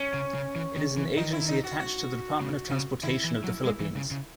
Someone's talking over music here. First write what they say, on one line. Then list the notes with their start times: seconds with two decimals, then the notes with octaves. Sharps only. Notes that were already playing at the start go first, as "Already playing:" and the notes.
It is an agency attached to the Department of Transportation of the Philippines.
Already playing: C#4
0.14 C#3
0.34 C#3
0.56 E3
0.76 D#3
0.97 E3
1.17 D#3 D#4
1.33 E4
1.48 D#4
1.64 F#4
1.79 F#4
2.41 C#3
2.72 C#3
3.03 D#3 E4
3.24 E3
3.44 F#3
3.65 G#3
3.80 E3
3.96 C#3
4.11 C#3